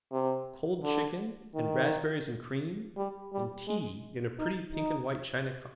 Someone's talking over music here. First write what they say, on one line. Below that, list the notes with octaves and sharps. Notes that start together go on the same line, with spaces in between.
Cold chicken, and raspberries and cream, and tea in a pretty pink-and-white china cup.
C3
D3
D#3
G3
G3
G#3
D#4
D#4